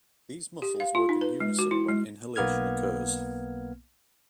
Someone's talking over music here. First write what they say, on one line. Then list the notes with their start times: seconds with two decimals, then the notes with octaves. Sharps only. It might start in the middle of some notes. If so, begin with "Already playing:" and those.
These muscles work in unison when inhalation occurs.
0.62 G4
0.80 F5
0.95 F4
1.09 D#4
1.21 B4
1.40 G#3
1.59 F#4
1.71 E4
1.89 G#3
2.36 B1 A#3 B3 F6 G#6